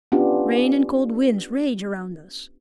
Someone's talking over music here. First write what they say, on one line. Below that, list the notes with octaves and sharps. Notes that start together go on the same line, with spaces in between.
Rain and cold winds rage around us.
B3 C#4 D4 F4 G4